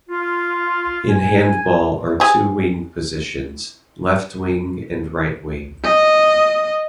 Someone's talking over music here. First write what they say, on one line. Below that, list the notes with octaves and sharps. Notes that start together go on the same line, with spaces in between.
In Handball are two wing positions: left wing and right wing.
F4
G#5
G4 G#4
D#5